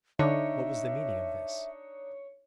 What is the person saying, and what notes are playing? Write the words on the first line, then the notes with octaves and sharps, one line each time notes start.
What was the meaning of this?
D3 D4 D#4 C#5 E5